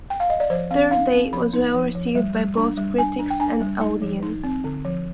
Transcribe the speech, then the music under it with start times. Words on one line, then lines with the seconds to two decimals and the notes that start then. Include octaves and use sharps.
"Third Day" was well received by both critics and audience.
0.10 G5
0.20 F5
0.30 D#5
0.40 D5
0.50 F3 C5
0.71 C4 F5
0.91 D#4 F5
1.12 C4
1.33 F3 B5
1.53 D#4
1.74 F3
1.95 F3
2.15 G3
2.36 G3
2.57 D4
2.78 G3
2.98 D4 G#5
3.19 D4
3.30 G5
3.40 D4 G#5
3.61 G3
3.81 D#4
4.02 F3
4.23 D#4
4.43 C4
4.64 D3
4.85 F3